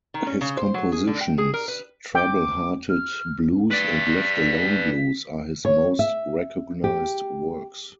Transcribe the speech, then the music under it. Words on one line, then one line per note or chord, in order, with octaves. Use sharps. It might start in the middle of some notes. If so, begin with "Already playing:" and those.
His compositions "Trouble Hearted Blues" and "Left Alone Blues" are his most recognized works.
D#3
C#4
C#3
C5
F#3
G#4
D3
G5
G#4
A#4
B4
G5 D6
F6
B4 D5 B6
C#5
E5
G4